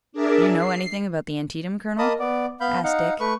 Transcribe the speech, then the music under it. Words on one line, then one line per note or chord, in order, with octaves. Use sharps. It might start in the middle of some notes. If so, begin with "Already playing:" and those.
"Do you know anything about the Antietam, colonel?" asked Dick.
D4 G#4 A#4 D5 E5
C7
A#3 A#4 D#5 A5 B5 D#6
B3 D5
B3 F5 B5 G6
D#4 F5 F#5
A3 B4 C#6